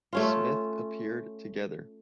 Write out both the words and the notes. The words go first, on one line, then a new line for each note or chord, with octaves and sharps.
Smith appeared together.
A3 C#4 F4